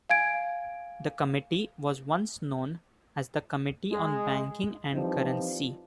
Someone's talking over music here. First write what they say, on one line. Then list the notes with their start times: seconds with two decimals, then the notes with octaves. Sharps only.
The committee was once known as the Committee on Banking and Currency.
0.10 F5 G#5 G#6 D7
3.90 G#3
4.93 E3 F3 G3 C4 D#4